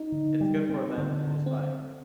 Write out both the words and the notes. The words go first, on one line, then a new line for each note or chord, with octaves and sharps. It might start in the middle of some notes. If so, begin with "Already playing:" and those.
it's good for them to just, like
Already playing: D#4
D3
G3
C4
D3
D3
C4